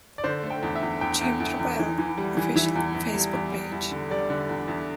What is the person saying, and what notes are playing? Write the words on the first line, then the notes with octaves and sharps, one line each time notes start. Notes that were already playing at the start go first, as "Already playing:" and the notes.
Jim Tarbell, Official Facebook Page.
D5
D3 C5
A3
G5
E2
E5
E2
E2 G5
E2
E2
E2
E3
E3
G3
E3
E3 E5
E2
E2
G3
E2
G3
E2
D3
G3 D5
D3
E2
E2